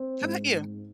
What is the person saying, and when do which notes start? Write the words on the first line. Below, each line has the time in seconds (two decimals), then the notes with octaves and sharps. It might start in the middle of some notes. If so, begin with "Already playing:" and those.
How 'bout you?
Already playing: C4
0.21 G#2
0.52 G#2